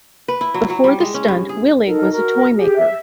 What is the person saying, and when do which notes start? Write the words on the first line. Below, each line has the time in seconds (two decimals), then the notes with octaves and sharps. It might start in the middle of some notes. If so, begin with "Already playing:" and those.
Before the stunt, Willig was a toymaker.
0.28 B4
0.41 E4
0.54 F#3
0.70 F#3
0.84 G3
1.00 G#3
1.14 C#4
1.28 G2
1.49 G#4
1.84 D#4 A4 A#4
2.11 F#4 A#4
2.55 G4 G#4
2.76 E5